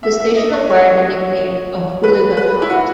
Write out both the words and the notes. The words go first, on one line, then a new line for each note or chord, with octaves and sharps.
The station acquired the nickname of "Hooligan Halt".
E5
E5
D#5
C#5
C#5
B4
B4
E4
F#4